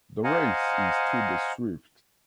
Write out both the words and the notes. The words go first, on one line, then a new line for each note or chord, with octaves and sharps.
The race is to the swift.
C5 D#5 F5 F#5 G#5 A#5